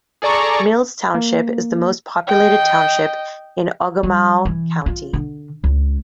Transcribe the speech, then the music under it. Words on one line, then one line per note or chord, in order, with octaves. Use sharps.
Mills Township is the most populated township in Ogemaw County.
G#4 A4 D5 A#5 C#6
A#3
D#5 G5
G3
E3
F4
D3
C#2